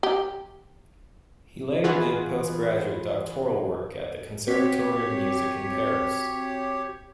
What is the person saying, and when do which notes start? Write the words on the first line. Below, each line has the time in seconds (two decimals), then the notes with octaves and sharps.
He later did post-graduate doctoral work at the Conservatory of Music in Paris.
0.03 G4
1.84 E3 F4 F#4 G#4 B4
4.48 C4 F#4 G4 C#5 B6